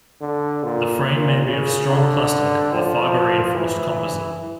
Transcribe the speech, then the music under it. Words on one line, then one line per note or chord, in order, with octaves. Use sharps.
The frame may be of strong plastic or fibre reinforced composite.
D3
A#2
A#2
C#3
D3
F3
E3